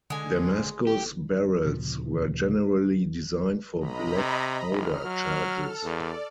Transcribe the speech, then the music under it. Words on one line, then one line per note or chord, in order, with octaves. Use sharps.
Damascus barrels were generally designed for black powder charges.
D3 G#3 G#5
G4
D2 A#2 C#3 F3
B1 D#5 A#5 B5
C3
F#1 F6
F#3
A4
E2 D5